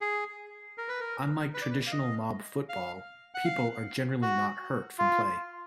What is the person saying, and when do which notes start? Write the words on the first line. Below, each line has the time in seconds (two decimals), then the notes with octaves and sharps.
Unlike traditional mob football, people are generally not hurt from play.
0.01 G#4
0.78 A#4
0.89 B4
1.00 A#4
1.54 B4
1.62 D5
1.71 B4
1.87 F5
1.92 D#5
2.69 F5
3.35 F#5
3.45 F5
4.22 F#4
4.99 F4